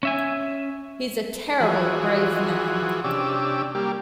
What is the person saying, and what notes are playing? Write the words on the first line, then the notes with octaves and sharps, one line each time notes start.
He's a terrible brave man!
C#4 E5 G#5
E3 F3 F#4 G#4
C3 C#4 D4 G4 D6 E6
G3 A#3 G4